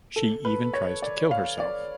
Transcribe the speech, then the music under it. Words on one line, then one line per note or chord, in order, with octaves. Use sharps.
She even tries to kill herself.
A4
B4
C#5
D5
F5
D5